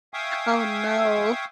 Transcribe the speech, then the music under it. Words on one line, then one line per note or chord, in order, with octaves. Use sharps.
Oh no.
E5 F5 G5 G#5 C#6 D#6